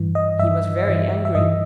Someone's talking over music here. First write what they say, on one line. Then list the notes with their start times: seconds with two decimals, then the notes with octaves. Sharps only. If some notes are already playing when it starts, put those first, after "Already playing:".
He was very angry.
Already playing: G2 E3
0.15 D#5
0.39 G2 E3 E5
0.87 G2 E3
1.25 E5
1.35 G2 E3 D#5